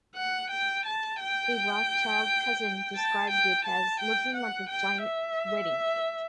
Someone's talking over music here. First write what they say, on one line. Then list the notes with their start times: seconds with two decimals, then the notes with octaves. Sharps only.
A Rothschild cousin described it as: "looking like a giant wedding cake".
0.15 F#5
0.50 G5
0.85 A5
1.20 G5
2.95 A5
3.30 G5
3.65 A5
4.00 G5
4.35 F#5
4.69 G5
5.04 E5